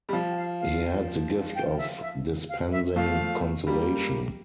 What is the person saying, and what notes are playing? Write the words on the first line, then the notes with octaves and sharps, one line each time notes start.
He had the gift of dispensing consolation.
G3
F3
G5
F5
F5
G5
E5
E5
F5
E5
F3 A3 F5
G3 A#3